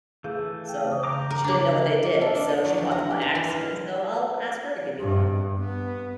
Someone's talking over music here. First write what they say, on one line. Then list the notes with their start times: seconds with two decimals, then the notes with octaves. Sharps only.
so, she didn't know what they did, so she bought them by accident. So I'll ask her to give me one.
0.24 E3 A3 G#4 F5 G6
0.64 G5 A5
0.92 C#3 D#6
1.04 G5 A#5 D6
1.31 A#4
1.44 C#3 A#3 D4 C#5
2.05 A#3
2.21 A4
2.35 D4
2.49 B3
2.65 F#3
2.78 E2
2.91 A#5
3.10 G4
3.21 A#5
3.35 E3
3.49 F4
4.99 G2
5.60 B3